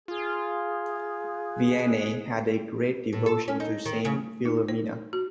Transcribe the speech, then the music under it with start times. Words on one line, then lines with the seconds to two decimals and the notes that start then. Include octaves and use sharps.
Vianney had a great devotion to Saint Philomena.
0.08 F4 G#4
3.13 A2
3.26 A4
3.48 C#4
3.60 D#4
3.86 D#3
4.05 C#3
4.45 D#4
4.68 C5
5.13 F#4